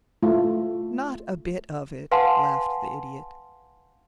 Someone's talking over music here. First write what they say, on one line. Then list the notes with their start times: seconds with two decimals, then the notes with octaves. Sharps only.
"Not a bit of it," laughed the Idiot.
0.23 A3 F4
2.11 B4 F5 F#5 G#5 A5 C6